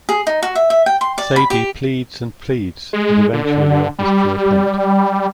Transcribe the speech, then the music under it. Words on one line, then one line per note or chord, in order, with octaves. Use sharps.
Sadie pleads and pleads and eventually offers to repent.
G#4
D#4
F#4
E5
E5
G5
C6
D5
B5
G4
G#3
D3
G3